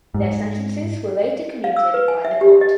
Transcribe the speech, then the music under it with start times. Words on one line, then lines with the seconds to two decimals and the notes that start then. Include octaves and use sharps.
Their sentences were later commuted by the court.
0.14 G#2
1.64 F5
1.77 E6
1.94 B4
2.08 G#5
2.25 E5
2.41 G4
2.61 D#5